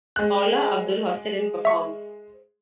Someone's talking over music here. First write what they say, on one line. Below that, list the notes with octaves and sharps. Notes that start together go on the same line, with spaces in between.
Paula Abdul hosted and performed.
G#3 F#6
E5 C#6